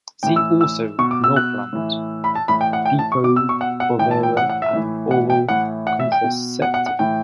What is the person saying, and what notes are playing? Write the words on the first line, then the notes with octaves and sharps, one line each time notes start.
See also Norplant, Depo-Provera and oral contraceptive.
A2 E3 G5
E6
E6
B2 C#6
D6
E6
F#6
A2 E3
B5
A5
A2 E3 B5
G5
F#5
G5
A5
C#6
B2 D6
E6
C#6
F#5
F#5
A2 E3 G5
A5
G5
F#5
F#5
E5
A2 E3
F#5
G5
A2 E3 F#5
F#5
E5
G5
B2
F#5
F#5
F#5
A2 E3 G5